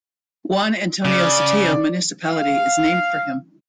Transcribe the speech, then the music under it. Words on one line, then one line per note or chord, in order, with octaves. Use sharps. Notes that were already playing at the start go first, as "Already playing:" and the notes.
Juan Antonio Sotillo Municipality is named for him.
C#3 D5
F5